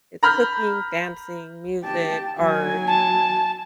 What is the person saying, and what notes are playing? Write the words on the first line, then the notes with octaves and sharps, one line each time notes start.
it's cooking, dancing, music, art,
A#5 B5 F6 G6
G4 A5
F#3 G#5
A5